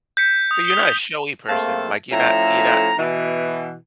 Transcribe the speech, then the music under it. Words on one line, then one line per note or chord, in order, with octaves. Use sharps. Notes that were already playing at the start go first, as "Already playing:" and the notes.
So, you're not a showy person? Like, you're not you're not
G6 B6 C#7
D#6
D#6 G7
A3 A#3 C4 G#4 F5 A5
A2 F3 C#4 A4 E5 A#5
B2 E3